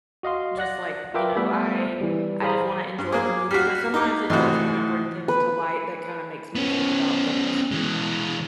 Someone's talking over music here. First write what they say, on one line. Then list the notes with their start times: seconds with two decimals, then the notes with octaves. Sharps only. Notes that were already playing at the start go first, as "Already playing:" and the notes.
just like, you know, I I just wanna enjoy the movie, but sometimes it does kinda bring things to light that kinda makes me think about things,
0.23 F#4 D#5 F5 C6
0.57 D5 F#5 F#6 A#6
1.14 F4 A#4 B4 E5 G5 D6
1.36 G3 A3 B3 E5 B5
2.00 E3 G3
2.42 G#4 C5 F5 A#5 B5 D#6
2.98 G2
3.12 A#3 G#4 D6
3.51 G3 F#4 F6 B6 C7
3.94 D#4 D6
4.30 G#2 C3 E3 A3 E4 F#4
5.28 B4
6.56 B3 C#4
7.72 E3 G#3